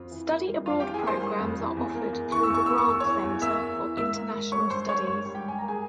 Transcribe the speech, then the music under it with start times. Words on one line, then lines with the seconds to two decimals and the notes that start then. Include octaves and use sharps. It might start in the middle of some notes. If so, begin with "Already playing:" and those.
Study abroad programs are offered through the Grant Center for International Studies.
Already playing: F2 F4
0.11 E3
0.30 A#3
0.47 G3
0.66 F2 F4 F5
0.80 E3 G4 G5
0.94 G#4 G#5
1.03 A#3 C5 C6
1.21 G3
1.40 F2
1.58 E3
1.77 E2
1.95 A#3
2.13 E2
2.31 E3 C#6
2.43 E6
2.50 E2 C#6
2.66 A#3 E6
2.78 C#6
2.87 E2 E6
3.00 E3 C#5 C#6
3.24 E2
3.42 A#3 E5 E6
3.60 E2
3.78 E3
3.97 G#2 E5 E6
4.16 A#3
4.34 G#2
4.52 G3 C#5 C#6
4.70 G#2 C5 C6
4.89 A#3 C#5 C#6
5.07 G#2 C#5 C#6
5.26 G3
5.34 G4 G5
5.44 G#2 G#5
5.59 A#3 A#5
5.68 G#4 G#5